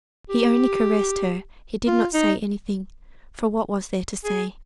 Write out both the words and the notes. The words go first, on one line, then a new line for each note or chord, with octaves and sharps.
He only caressed her; he did not say anything; for what was there to say?
G4
F4
D#4
G#4